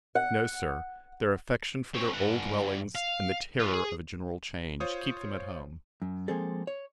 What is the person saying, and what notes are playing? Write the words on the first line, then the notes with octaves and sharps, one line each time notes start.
No, Sir; their affection for their old dwellings, and the terrour of a general change, keep them at home.
F#5
C4 C#5
G2 F#5
F5
F4 B4
G#4
F4 C5 C#5 D#6
F#2
F3 G#3 A#3 C4 G#4 A4
C#5